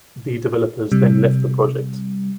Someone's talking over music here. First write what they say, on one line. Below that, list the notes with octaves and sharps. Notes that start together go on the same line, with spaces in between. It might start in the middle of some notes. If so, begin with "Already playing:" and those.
The developers then left the project.
C3 G3